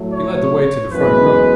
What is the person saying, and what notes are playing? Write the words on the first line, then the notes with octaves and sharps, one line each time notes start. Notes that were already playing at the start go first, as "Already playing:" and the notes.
He led the way to the front room.
Already playing: A2 F#3 A3
C#5
F#2 E3 G#3 B3 B4